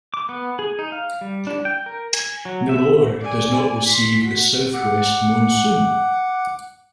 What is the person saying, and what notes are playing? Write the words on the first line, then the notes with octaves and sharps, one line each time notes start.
Nellore does not receive the south-west monsoon.
D6
B3
G#4
D#4
F5
G3
D4
G5
A#4
G#5
F#3
E5
D5 G#5
C6 B6
F#4
F#5 D6